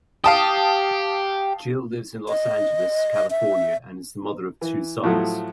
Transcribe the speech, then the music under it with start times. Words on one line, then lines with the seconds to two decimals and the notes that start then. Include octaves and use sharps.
Gill lives in Los Angeles, California and is the mother of two sons.
0.24 G4 F5 A5 D#6
2.28 D#5
3.30 E5
4.61 E3
5.03 A2 F3 F#3 A3